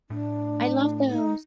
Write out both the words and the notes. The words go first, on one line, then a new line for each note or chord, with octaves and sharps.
I love those.
A2 A3 D4
D#4